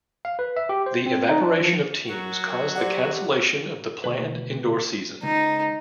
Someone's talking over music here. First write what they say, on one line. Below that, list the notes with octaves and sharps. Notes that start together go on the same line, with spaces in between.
The evaporation of teams caused the cancellation of the planned indoor season.
F5
B4
E5
G4
C5
C4
D#4
D4
F3
F#3 F#4 A#4
G4 C5 D5 F#5
D2 B2 B4
C#2 D#4